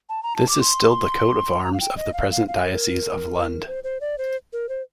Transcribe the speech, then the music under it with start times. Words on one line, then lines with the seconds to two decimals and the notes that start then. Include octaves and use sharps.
This is still the coat of arms of the present diocese of Lund.
0.09 A5
0.23 A#5
0.36 A5
0.49 D6
0.61 C6
1.63 A#5
1.74 F5
1.80 G5
1.97 D#5
2.14 F5
2.31 F5
2.48 F5
2.65 A#4
3.67 C5
3.84 C5
4.01 D5
4.18 C5
4.53 A#4
4.69 C5